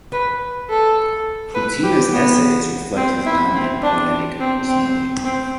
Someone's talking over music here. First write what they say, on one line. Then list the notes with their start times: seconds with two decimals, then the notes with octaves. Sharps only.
PuTiNa's essays reflect his dominant poetic personality.
0.12 B4
0.69 A4
1.54 B4
1.83 G4
2.11 B3
2.97 C4
3.25 E4
3.54 C4
3.83 D4
4.40 C4
4.68 C4
5.24 C4